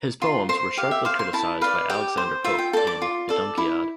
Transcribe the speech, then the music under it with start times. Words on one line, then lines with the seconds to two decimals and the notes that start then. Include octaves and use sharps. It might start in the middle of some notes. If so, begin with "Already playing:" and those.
His poems were sharply criticized by Alexander Pope in "The Dunciad".
0.22 F4 C6
0.49 C5 C6
0.77 G4 F5
0.91 E5
1.05 C5 F5
1.19 C6
1.33 E4 A5
1.61 B4 D5 F5
1.90 G4 G5
2.17 C5
2.44 F4 E5
2.59 G5
2.73 A4 D5 A5
2.87 D6
3.02 F4
3.29 A4 D5
3.58 E4